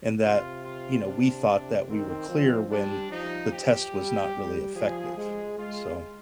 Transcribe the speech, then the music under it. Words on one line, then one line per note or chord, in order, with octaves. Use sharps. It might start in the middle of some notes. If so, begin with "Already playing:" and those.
and that, you know, we thought that we were clear when the test was not really effective, so
C3 F4
F4
D4
C3
D#3 C4
F3
G3 D4
F3 D#4
G4
G3
G3
F3 G#4
G#3 G#4
G#3 F4